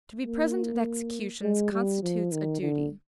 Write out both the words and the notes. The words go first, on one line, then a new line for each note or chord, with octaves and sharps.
To be present at executions constitutes a duty.
A#3
G#3
G3
F3
D#3
D3